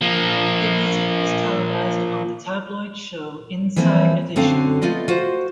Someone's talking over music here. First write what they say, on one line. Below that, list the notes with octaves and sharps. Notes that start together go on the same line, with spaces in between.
The visit was televised on the tabloid show Inside Edition.
F3 A#3
E3 F3 A#3 C4 E4
F#2 D3 C4 F#4 F5
A3 B3 F4 D5 D#5
F4 F#4 C5